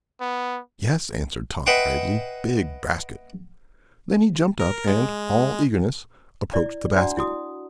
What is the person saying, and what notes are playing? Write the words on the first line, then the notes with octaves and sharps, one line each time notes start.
"Yes," answered Tot, gravely, "big basket!" Then he jumped up and, all eagerness, approached the basket.
B3
B4 D#5 E5 F#5 G5 C6
A#4
G#3
E4 D5
D4 F#4 D5 F#5 A5 A#5
E4 F#4 D#6